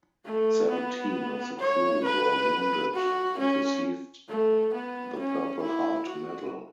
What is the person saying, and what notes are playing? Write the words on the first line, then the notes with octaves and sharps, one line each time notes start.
Seventeen of the crew were wounded and received the Purple Heart medal.
A3
B3
C#5
B4
F#4
C#4
A3
B3
C#4
E4
F#4